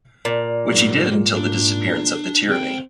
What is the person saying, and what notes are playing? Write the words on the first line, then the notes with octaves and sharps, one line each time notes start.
Which he did until the disappearance of the tyranny.
A#2
G#2 F#3 G3
D4
D2 C4 G5